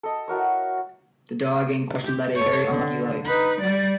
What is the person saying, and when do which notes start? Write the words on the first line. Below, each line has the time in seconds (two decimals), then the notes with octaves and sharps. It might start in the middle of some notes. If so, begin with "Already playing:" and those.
The dog in question led a very unlucky life.
0.03 A4 D#5
0.28 E4 F#4 A#4 C#5
2.04 G4
2.35 A4 C#5
2.69 D3
3.25 D#4 B4
3.61 G3 D5